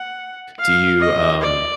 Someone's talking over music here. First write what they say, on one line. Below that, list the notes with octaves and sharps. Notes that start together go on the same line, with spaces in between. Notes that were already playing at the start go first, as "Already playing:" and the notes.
Do you, um,
Already playing: F#5
F5
D#5
D5